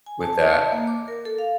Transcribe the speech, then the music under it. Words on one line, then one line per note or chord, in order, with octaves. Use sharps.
with that.
G#5
A5
A5
A#3
D6
A#4
A4
F5